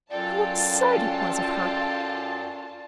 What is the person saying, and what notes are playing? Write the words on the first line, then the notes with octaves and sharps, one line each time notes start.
How absurd it was of her!
F#2 F4 A4 D5 G5 A5